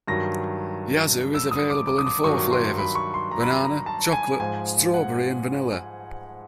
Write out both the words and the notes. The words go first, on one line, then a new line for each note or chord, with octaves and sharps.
Yazoo is available in four flavours; banana, chocolate, strawberry and vanilla.
G2 D#3 F#3 A#6
E6
D#6
D6
D6
D#6
D6
G2 D#3 F#3 C#6
C6
B5
C#6
C6
A#5
B5
A#5
A5
G#5
G#2 F3 G#5
F#5